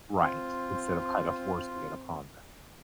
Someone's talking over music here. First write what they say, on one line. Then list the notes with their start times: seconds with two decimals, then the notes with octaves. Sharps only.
Right. Instead of, kind of, forcing it upon them.
0.20 C4 F4